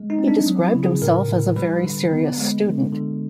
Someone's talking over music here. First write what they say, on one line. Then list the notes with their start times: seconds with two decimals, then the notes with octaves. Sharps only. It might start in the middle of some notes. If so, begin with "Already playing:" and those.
He described himself as a very serious student.
Already playing: G#3
0.10 D#4
0.19 C4
0.28 D4
0.46 F#3
0.64 E4
0.74 C#3
0.83 G#4
1.02 A2 A#4
1.28 A2
1.56 G3 B4
1.84 D3
2.11 B3
2.38 G#3
2.66 D3
2.93 D3